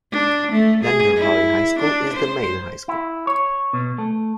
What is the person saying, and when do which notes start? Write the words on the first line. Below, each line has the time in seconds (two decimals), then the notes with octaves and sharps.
Lander Valley High School is the main high school.
0.12 D4
0.52 A3
0.83 G#4
1.16 E4
1.79 D4
2.14 C5
2.88 E4
3.27 C#5
3.73 B2
3.98 A3